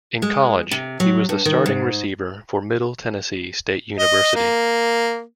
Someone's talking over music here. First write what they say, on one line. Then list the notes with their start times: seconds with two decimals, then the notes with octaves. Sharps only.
In college, he was the starting receiver for Middle Tennessee State University.
0.22 G#3
0.71 C3
1.00 F#3
1.29 G2
1.45 D#3
1.66 G#2
3.99 D#5
4.35 A#3